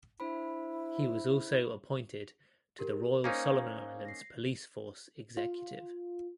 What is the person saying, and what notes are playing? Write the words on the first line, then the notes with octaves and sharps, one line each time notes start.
He was also appointed to the Royal Solomon Islands Police Force Executive.
D4 E4 C5 B5
G4 A#4
A#3 C#4 D#4 C5 F5
A#6 C7
F4